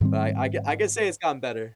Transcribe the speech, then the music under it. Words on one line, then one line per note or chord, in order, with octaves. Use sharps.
But I I c I can say it's gotten better.
G#2 D#3 G3 C4